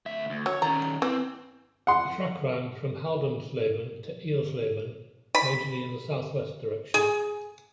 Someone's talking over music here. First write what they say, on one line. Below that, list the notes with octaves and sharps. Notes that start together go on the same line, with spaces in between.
The track ran from Haldensleben to Eilsleben, majorly in the south-western direction.
D2 E5
D2
F#3 C#5
D#3 C#4 A#5
E3 C4
F#5 C6
B5
G#4